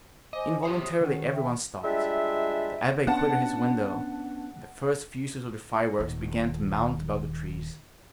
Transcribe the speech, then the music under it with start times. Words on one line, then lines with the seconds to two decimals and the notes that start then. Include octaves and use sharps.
Involuntarily every one stopped; the abbe quitted his window; the first fuses of the fireworks began to mount above the trees.
0.33 C5 D#5 G#5 D6
0.63 G4 C5 C#5 D#6
1.01 D#3 C#4 A#4 F#5
1.32 E5 G5
1.84 G3 G#3 D4 F4 E5
3.07 B3 C#4 D4 F#5 A5
5.99 D#1 D#3